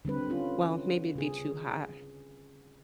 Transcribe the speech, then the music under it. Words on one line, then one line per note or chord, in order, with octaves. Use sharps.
well, maybe it'd be too hot,
D3 G3 C4 B4
C#4 F4
C#3 G#4